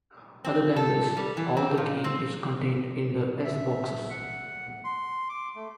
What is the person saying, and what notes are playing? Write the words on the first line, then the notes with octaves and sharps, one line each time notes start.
Other than this, all the key is contained in the S-boxes.
C4
A4
G3
E3
C4
A#2
C4
E5
F#5
C6
D6
A3